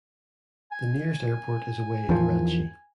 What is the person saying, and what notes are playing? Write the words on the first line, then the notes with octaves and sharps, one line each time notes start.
The nearest airport is away in Ranchi.
G#5
E2 D#3 F3